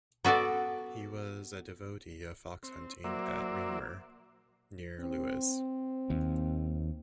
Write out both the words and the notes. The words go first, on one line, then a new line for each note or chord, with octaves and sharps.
He was a devotee of fox hunting at Ringmer, near Lewes.
B3 F#4 A4 D5
C4
F#3 A#3 C5 D5 E5
C4
D#2